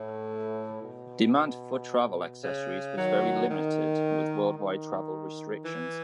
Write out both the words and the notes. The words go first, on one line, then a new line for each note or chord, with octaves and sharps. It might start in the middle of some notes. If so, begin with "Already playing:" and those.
Demand for travel accessories was very limited with worldwide travel restrictions.
Already playing: A2
B2
C#3
D#3 F#3
D#3
D#3
E3